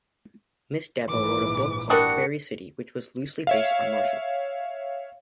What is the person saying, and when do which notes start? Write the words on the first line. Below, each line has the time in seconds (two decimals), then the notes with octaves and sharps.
Miss Debo wrote a book called Prairie City which was loosely based on Marshall.
1.09 A#1 G#2 E3 D6
1.90 G3 D4 F#4 A#4 D#6 C#7
3.47 C#5 E5 F5